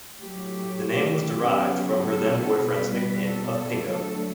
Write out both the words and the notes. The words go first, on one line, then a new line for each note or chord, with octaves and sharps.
The name was derived from her then boyfriends nickname of Pingo.
A2 F#3 A3 G4
C#3 F#3 B3
A4
B2 G3 B3 B4
A4
D3 F#3 A3 A4